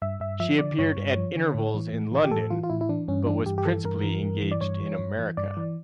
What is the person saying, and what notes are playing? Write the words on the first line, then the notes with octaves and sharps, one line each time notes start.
She appeared at intervals in London, but was principally engaged in America.
G2 E5
G2 E5
F3 E5
D3 D5
G2 C#5
G2
F3
D3
A2
E3
A2
E3
G4
A2 A4
E3 F4
F4
A2 E4
E4
E3 D4
G2 C#4
E3 D4
G2 G4
G4
E3 A4
G2 A#4
E3
G2
E3
D5
G2 C#5
E3
G2
E3
G2 D5
E3